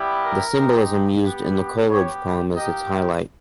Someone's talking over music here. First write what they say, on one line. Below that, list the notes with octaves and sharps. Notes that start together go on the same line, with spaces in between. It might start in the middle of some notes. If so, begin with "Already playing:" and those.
The symbolism used in the Coleridge poem is its highlight.
Already playing: G3 B3 E4 G4
A#4
G#3 D#4 G4
B3 G4
B3 G4 C#5
A#3 D#4 G4 D#5